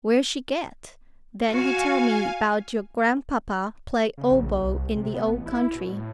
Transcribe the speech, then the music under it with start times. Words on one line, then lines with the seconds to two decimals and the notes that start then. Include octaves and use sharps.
Where she get?' Then he tell me 'bout your gran'papa play oboe in the old country.
1.48 F#4 F5 G#5
4.18 C#3
4.31 A#1
4.55 C2
4.96 C3
5.14 B3
5.27 A1
5.46 E4
5.75 B2
5.87 A2